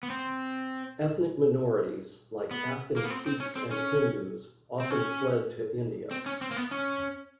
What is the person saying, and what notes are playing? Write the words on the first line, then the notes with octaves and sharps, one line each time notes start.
Ethnic minorities, like Afghan Sikhs and Hindus, often fled to India.
B3
C4
B3
A#3
B3
C4
C4
C#4
C4
C#4
C4
C#4
C4
C#4
C4
A#3
B3
C#4